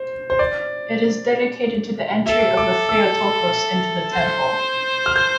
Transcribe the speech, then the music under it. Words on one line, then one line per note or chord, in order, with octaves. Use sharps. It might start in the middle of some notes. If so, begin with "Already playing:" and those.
It is dedicated to the Entry of the Theotokos into the Temple.
Already playing: C5
C5
D5
A4 E5
D6
E6
C5
F6
G6